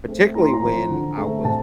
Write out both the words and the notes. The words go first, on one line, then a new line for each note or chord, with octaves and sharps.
particularly when I was
A3 C4
A2 A#5
C6
A#5
F3 C4
D3
A3 C4
C3 A5